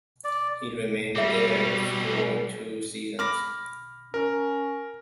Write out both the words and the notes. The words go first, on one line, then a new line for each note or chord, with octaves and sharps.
He remained there for two seasons.
D5
B2 G3 C4 C#4 G#4 E5
B5 D6 F6 A#6
C#4 A#4